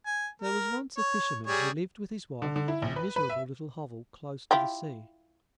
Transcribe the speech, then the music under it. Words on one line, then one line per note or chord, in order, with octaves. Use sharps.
There was once a fisherman who lived with his wife in a miserable little hovel close to the sea.
G#5
A#4
C#5
G3 G#4 C#5
D3
D3
E4
A#1
B4
B4
E5
E4 F4 G4